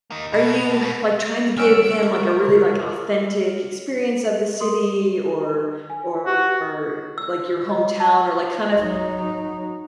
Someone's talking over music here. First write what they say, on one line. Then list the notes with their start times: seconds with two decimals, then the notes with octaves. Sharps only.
are you, like, trying to give them, like, a really, like, authentic experience of the city or or, like, your hometown or, like, kind of
0.10 A#3 D#4
0.33 B2
1.57 G3 C#4 F#4 E6 F6 D7
2.03 A3 A#4
4.60 A#4 C6 D#6
4.94 G4
5.90 G#5
6.26 F#4 G4 B4 C#6
7.18 E6
7.69 D#5
8.00 A5
8.79 F#3 D#4